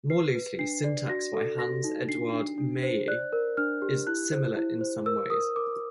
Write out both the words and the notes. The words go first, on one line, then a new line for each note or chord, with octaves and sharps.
More loosely, Syntax by Hans Eduard Meier is similar in some ways.
B4 C7
B4
D4 C7
D5
F#4 A#6
A4
F#4 A#6
D#4
D4 C7
D4
D4
C5
D5 F#6
A#4
D4 F6
G4
E4 F#6
C5
E4
C5
A#4 E6
A#4 D#6
A#4 D6